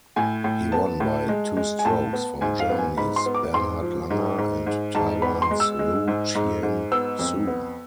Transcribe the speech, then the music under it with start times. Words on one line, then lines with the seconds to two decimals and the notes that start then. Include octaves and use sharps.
He won by two strokes from Germany's Bernhard Langer and Taiwan's Lu Chien-soon.
0.16 A2 G#5
0.44 A2
0.72 B3 A5
1.00 A2
1.29 G#3
1.57 G#3
1.79 G#5
1.85 A2 A5
2.13 B3
2.41 G#2 G#5
2.60 F5
2.69 B3
2.78 G#5
2.97 G#2 B5
3.16 C6
3.26 B3
3.35 D6
3.53 G#2 C6
3.82 F3
4.10 G#2
4.38 G#2
4.67 G#2
4.95 G#2 A5
5.22 B3 B5
5.42 C6
5.51 G#3
5.60 E6
5.79 G#3
6.08 G#2
6.35 G#2
6.63 G#2
6.92 B3 E6
7.19 F2
7.48 B3